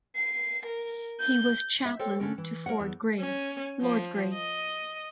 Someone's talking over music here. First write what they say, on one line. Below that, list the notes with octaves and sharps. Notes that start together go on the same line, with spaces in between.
He was Chaplain to Ford Grey, Lord Grey.
C7
A#4
G6
E5
A4 A#4 C5 C#5 G5
D3 C#4 A#4
E3
A#4 B4 C#5 F#5
E2
C#4
F3
D#5